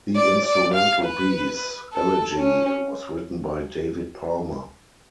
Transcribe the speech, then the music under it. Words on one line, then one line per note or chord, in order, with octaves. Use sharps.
The instrumental piece "Elegy" was written by David Palmer.
D5
D5
F5
B4
A4
C#4